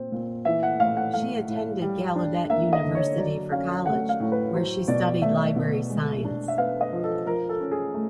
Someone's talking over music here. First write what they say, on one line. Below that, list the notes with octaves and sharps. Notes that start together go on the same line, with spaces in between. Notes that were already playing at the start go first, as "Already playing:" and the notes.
She attended Gallaudet University for college where she studied library science.
Already playing: A#2 C4
A#2
E3 E5
F#5
A2 F5
F#5
A3 F5
A2
G3
D4
A#3 E5
D#5
D3
C#5
F#3 D5
C#4 F5
A3 F#5
F5
A2
B4
F#3 C5
B2 D5
A3 E5
B2
G#3
D4
E5
B3 F5
D#5
F3
A4
F3 A#4
A4
C#4
G#4
A3